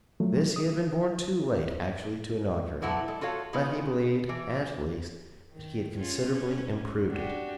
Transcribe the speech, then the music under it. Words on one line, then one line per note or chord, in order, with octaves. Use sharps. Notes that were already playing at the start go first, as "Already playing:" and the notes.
This he had been born too late actually to inaugurate, but he believed at least, that he had considerably improved it.
F3 F#3 A3
D#6
B2 D3 F#3 B3 E4 A4
G#3 A4
F4 F#4 A4 C#5 F5
G#3 B3 D#4 F4 G#4 B4
E3
D#3
C#4 F4
C#4
D4 F#4 G4